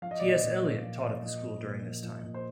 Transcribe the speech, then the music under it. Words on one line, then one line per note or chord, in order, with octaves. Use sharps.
T. S. Eliot taught at the school during this time.
F3 F5
D#5
A#2 D5
D#5
A#2
F3
F3
A#2
F3 D#5
A#2
A#2
F3
F3
A#2
C5